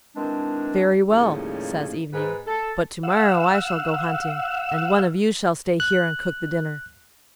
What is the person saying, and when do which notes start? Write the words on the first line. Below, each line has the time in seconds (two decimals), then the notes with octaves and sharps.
"Very well," says Evening; "but to-morrow I shall go hunting, and one of you shall stay here and cook the dinner."
0.16 D#3 E3 G#3 C4 D4
1.10 D#2 A2 C#3 F3 G3 D#4
2.13 G#2 B4
2.47 A4
3.03 F5 F#5 E6
5.80 F#6